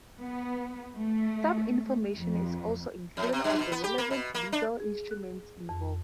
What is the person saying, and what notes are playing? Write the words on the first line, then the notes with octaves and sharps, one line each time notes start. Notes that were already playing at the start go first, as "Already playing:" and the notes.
Some information is also included on the relevant legal instruments involved.
B3
A3
F2
F2
C3
G2
B2
B3
G4
A#3
B2
A#3
D4
G#4
F#6
F2